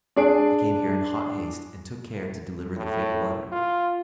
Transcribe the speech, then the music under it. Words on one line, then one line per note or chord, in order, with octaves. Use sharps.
I came here in hot haste, and took care to deliver the fatal letter.
D4 G#4 D5 D7
A2
F4